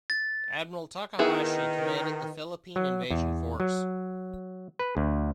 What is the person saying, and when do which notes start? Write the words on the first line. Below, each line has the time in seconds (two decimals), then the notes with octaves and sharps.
Admiral Takahashi commanded the Philippine Invasion Force.
0.10 A6
1.19 D#3 B3 E4 G#4
2.76 F#3
3.11 E2
3.60 F#3
4.79 B4
4.97 D2